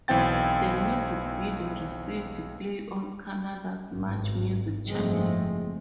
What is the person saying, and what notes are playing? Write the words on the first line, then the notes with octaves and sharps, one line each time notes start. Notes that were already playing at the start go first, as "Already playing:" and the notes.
The music video received play on Canada's MuchMusic channel.
B1 E3 C4 G5 A6
G#1 G2
F#1 G#2 F3 G#3 A3 C4